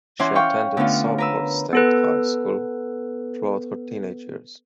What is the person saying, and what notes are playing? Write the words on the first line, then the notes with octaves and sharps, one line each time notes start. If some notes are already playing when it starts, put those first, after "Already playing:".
She attended Southport State High School throughout her teenage years.
E3 C#4 D5 F#5 C6
F5 G5 C#6
D3 A3 B3 C#4 F4
A#4 B4 E6
B3 A4 B4